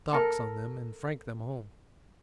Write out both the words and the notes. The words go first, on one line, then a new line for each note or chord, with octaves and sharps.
Docs' on them and frank them home.
A4 A#4